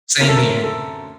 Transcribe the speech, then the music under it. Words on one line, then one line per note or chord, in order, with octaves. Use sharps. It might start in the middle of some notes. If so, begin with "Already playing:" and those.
Same here.
F#2 D3 A3 C4 A#4
A4
A#4
A4